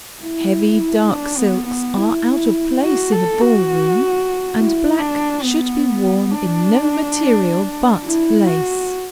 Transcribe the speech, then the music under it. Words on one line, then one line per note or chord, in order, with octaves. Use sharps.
Heavy, dark silks are out of place in a ball room, and black should be worn in no material but lace.
E4
D4
B3
B3
E4
F#4
A4
F#4
E4
D4
B3
D4
E4
F#4